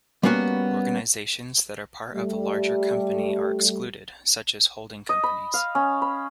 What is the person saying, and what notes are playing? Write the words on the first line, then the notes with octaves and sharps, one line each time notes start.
Organisations that are part of a larger company are excluded, such as holding companies.
G3 A#3 B3 C#4 F#4
G3 A3
D#5
B5
F5
C#4
B5